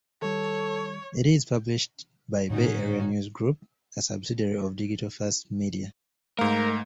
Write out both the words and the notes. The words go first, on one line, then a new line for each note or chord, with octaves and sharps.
It is published by Bay Area News Group, a subsidiary of Digital First Media.
D#3 G3 A4 C#5
A2 D3 C#4 D#4 F#4
G#2 A3 A#4 F5